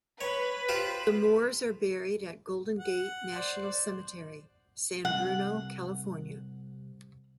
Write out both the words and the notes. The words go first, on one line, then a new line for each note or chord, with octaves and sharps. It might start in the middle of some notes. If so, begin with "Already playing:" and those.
The Moores are buried at Golden Gate National Cemetery, San Bruno, California.
B4 C#5
F4 G4 C5
F#5
C5 D5
C2 F#5